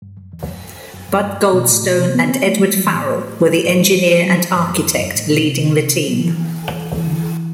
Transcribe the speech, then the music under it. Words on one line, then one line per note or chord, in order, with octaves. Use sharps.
Bud Goldstone and Edward Farrell were the engineer and architect leading the team.
G2
F#2
E2
F#2
G2
F#2
F#2
G2
B2
A2
B2
C3
B3
C4
A3
G3
F#3
E3
A2
A2
G3
F#3
F#3
G2
F#2
E2
G2
F#2
A2
B2
C3
F#3
E3
E3
D3
E3